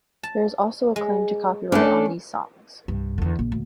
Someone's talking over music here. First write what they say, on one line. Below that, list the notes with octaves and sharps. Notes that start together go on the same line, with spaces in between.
There is also a claim to copyright on these songs.
A5
G#3
A3 C#4 D4
C2 G2
E2 D3
A#1
D2 A#2